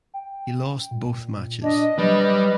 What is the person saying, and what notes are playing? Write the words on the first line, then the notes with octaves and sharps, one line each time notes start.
He lost both matches.
G5
A#2
D4 D#5
F#3 G3 B4